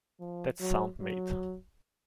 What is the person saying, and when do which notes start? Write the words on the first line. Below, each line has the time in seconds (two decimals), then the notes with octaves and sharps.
That's sound mate.
0.20 F3
0.60 F#3
1.00 F#3